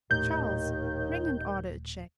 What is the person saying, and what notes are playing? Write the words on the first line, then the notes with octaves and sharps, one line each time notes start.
Charles, ring and order a chair.
D#1 D#2 A2 D#3 G6